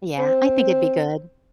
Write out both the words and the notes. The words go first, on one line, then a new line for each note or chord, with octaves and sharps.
Yeah, I think it'd be good.
C4